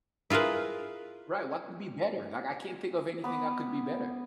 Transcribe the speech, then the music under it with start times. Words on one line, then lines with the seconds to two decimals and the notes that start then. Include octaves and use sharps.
Right, what could be better? Like, I can't think of anything that could be better.
0.30 E4 F4 G#4 A#4 B4
3.24 B3 B5 D6